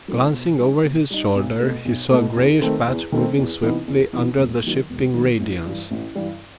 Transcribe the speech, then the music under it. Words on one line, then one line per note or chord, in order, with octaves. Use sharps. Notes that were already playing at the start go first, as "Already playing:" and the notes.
Glancing over his shoulder, he saw a grayish patch moving swiftly under the shifting radiance.
F#3 A3 C4 E4
B2
G3 D#4
B2
G3 D#4
B1
B2 A3
B1
B2 A3
E2
D#3 A3 C4
E2
D#3 A3 C4
E2
C3 E3 B3 D#4
E2
C3 E3 B3 D#4
E1
D#2 D#3 F#3
E1
D#2 D#3 F#3
A1
G2 E3 G3
A1
G2 E3 G3